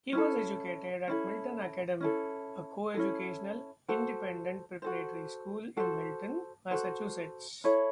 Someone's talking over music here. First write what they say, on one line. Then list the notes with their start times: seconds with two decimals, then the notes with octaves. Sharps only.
He was educated at Milton Academy, a coeducational, independent preparatory school in Milton, Massachusetts.
0.13 C#4 E4 A4
1.08 C#4 E4 A4
2.01 C#4 E4 A4
2.94 C#4 E4 A4
3.88 F#4 A4 C5
4.82 F#4 A4 C5
5.77 F#4 A4 C5
6.71 F#4 A4 C5
7.64 E4 A4 C#5